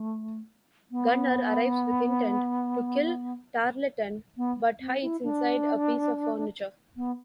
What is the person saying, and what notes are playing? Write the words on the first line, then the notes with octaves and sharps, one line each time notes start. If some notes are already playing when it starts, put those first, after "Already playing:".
Gunner arrives with intent to kill Tarleton but hides inside a piece of furniture.
Already playing: A3
B3
B3
C4
E4
D4
B3